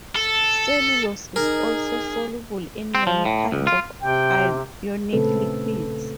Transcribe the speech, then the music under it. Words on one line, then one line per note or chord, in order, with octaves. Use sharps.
Cellulose is also soluble in many kinds of ionic liquids.
A4
D#4 G#4 A#4
C4
F3
A2
C#2
F4
C3 G5
A#2 C#3 A3 C4 A4 B4